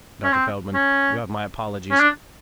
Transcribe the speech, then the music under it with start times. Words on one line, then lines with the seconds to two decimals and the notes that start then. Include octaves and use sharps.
Dr. Feldman, you have my apologies.
0.24 C#4
0.32 C4
0.74 C#4
1.91 C#4
2.00 D4